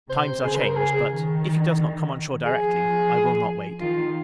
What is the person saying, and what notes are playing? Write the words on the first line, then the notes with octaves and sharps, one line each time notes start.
Times are changed; but, if he does not come on shore directly, I will not wait.
C3 C5
C#3 G#4
C5
A#4
G#4
D#3
F3 G#4
D#3 F4